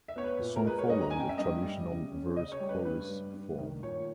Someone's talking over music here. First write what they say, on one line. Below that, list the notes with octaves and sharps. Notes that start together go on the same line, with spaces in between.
The song follows a traditional verse-chorus form.
E5
B3 C#5
B4
A#2
A#4
G#3 B4
C#5
G2 D#5
A#5
C#4 G#5
G5
E5
G2 D#5
G3
C#3
C#4
C#3 D#5
C#5
G3
B4
G2 B4
G3
G2
D#3
A#2 C#5